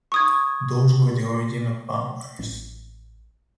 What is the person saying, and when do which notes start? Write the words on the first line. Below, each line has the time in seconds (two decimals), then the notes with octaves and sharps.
Those were the origin of vampires.
0.12 C#6 D#6 G#6
2.39 A1